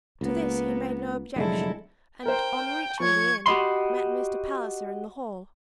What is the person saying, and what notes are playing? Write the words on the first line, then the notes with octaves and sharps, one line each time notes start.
To this he made no objection, and, on reaching the inn, met Mr. Palliser in the hall.
C#2 A#3 B3
F1 D3 F#3 G#3 E4 A4
A#4 C5 G5
F3 C#5 C#6 G#6
F#4 G4 D#5 B5 C6